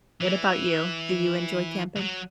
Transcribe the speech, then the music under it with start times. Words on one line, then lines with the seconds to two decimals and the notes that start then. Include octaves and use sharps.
What about you? Do you enjoy camping?
0.21 E3
1.96 E3
2.00 F#3